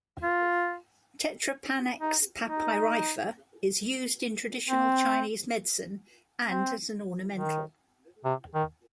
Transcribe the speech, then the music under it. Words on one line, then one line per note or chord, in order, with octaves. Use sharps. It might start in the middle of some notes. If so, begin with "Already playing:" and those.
"Tetrapanax papyrifer" is used in traditional Chinese medicine and as an ornamental.
F4
D#4
D#4
C4
C4
D#3
C3
D#3